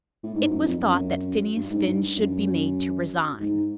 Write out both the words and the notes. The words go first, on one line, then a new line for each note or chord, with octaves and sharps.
It was thought that Phineas Finn should be made to resign.
A2
G#2
F#2
F2
F#2
G2
G#2
G2
F#2
G#2